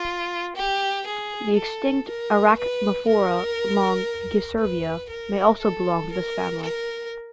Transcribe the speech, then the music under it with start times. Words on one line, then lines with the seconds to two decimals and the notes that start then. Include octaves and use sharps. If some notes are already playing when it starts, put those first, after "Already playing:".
The extinct "Archaeamphora longicervia" may also belong to this family.
Already playing: F4
0.56 G4
1.06 G#4
1.57 A4
2.08 A#4
2.58 B4
3.09 A#4
4.59 B4
5.10 A#4
5.61 A4
6.12 A#4
6.62 A#4